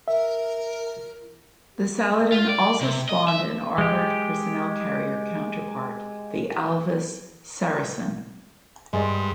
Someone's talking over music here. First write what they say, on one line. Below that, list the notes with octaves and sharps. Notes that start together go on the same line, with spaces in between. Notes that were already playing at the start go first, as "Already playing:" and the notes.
The Saladin also spawned an armoured personnel carrier counterpart, the Alvis Saracen.
A#4 E5
F4
D5
C3
D#5
E5
G#3 G4
G2 G#3 D5